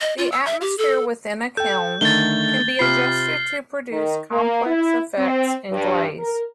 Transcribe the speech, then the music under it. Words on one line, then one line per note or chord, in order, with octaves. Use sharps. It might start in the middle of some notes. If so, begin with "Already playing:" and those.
The atmosphere within a kiln can be adjusted to produce complex effects in glaze.
D#5
F4
E6
E5
G4
A4
A4 G5 G6
D3 D#3 A3 A6 G7
C3 F4 B5 F6 C7
D#3
A#3
E4
C4
G2
A#4